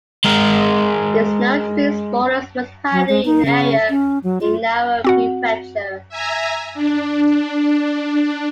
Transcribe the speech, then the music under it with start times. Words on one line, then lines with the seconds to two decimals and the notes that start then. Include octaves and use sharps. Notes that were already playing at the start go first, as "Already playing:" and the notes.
It is known to be smallest municipality in area in Nara Prefecture.
0.24 G#3 A#4
2.92 F#3
3.09 G#3
3.25 D#4
3.46 C#3
3.90 C#4
4.24 F#3
4.41 F4
5.04 C4 F#4 F#5
6.09 E5 G#5 A#5
6.74 D4